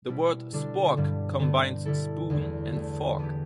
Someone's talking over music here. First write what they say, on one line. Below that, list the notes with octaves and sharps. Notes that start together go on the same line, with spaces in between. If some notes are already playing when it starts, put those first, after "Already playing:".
The word "spork" combines "spoon" and "fork".
B2 G3 E4
D3 G3 D4 A4
G2 D3 G3 B3
D3 B3 G4
D3 G3 E4 A4
E2 D3 A3
E2 D3 A3
E3 B3 E4 G4